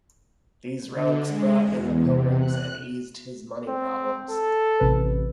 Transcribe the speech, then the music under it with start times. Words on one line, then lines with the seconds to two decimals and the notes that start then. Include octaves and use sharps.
These relics brought in the pilgrims and eased his money problems.
0.93 D3
1.27 G#3
1.66 E2
2.02 C3
2.40 F#6
3.68 C4
4.30 A4
4.80 A1 C3 B4